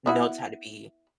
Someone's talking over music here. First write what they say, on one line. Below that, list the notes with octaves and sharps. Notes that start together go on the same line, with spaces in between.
notes had to be
B3 E4 F#4